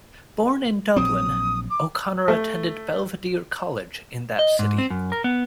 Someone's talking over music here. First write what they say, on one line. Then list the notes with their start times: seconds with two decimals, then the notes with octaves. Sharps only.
Born in Dublin, O'Conor attended Belvedere College in that city.
0.96 A#1 F#3 C4 D#6
1.70 D6
2.28 A3
4.39 D#5
4.59 G#2
4.78 C4
4.90 F#2
5.12 A#4
5.24 B3